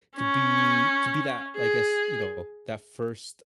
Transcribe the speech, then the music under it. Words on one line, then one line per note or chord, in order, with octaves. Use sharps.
to be to be that, I guess, you know, that first
C#4
G#4